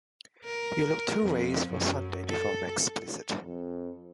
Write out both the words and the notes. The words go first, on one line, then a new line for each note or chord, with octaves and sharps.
You'll look two ways for Sunday before I'm explicit.
A#4
F2
F#2
A4
F2